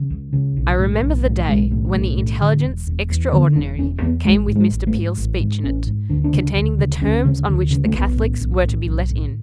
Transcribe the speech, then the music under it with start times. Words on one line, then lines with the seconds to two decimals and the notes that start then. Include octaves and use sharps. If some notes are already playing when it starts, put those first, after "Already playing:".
I remember the day when the Intelligence Extraordinary came with Mr. Peel's speech in it, containing the terms on which the Catholics were to be let in!
Already playing: C#3
0.10 C#2
0.33 C#3
0.57 B1
0.79 A2
1.02 B1
1.25 A2
1.48 B1 G#3
1.71 A2
1.94 B1 A3
2.18 A2
2.41 D3
2.63 E1
2.87 E1
3.10 E2
3.32 D3 B3
3.55 E1 D4
3.79 E1 C#4
4.02 E2 B3
4.25 A1 G#3
4.47 G#2
4.55 G#3
4.71 A1
4.87 A3
4.94 G#2
5.17 A1
5.40 G#2
5.63 A1 C#4
5.87 G#2
6.09 D2 D4
6.24 D4
6.33 C#3
6.56 D2
6.79 C#3
7.02 D2 C#4
7.25 C#3
7.47 D2
7.71 C#3
7.85 A3
7.94 B1 B3
8.17 A2
8.40 B1
8.63 A2
8.85 B1
9.10 A2